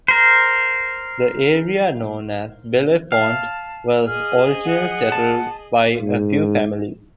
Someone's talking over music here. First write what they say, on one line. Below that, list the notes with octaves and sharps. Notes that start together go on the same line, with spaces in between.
The area known as Bellefonte was originally settled by a few families.
A#4 C5
F5 A5
G#4 D#5 F6
F#5
A5
G#2